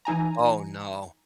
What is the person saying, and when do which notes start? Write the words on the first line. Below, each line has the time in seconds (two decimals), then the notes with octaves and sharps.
Oh, no.
0.05 E3 D#4 G#5 A#5